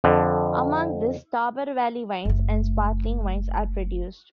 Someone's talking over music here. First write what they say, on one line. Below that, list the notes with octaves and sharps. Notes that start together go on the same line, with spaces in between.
Among this Tauber valley wines and sparkling wines are produced.
F2 D3
F#1 A3